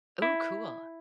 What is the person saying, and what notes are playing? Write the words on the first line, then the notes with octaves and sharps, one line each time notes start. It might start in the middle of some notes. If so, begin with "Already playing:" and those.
Ooh, cool.
E4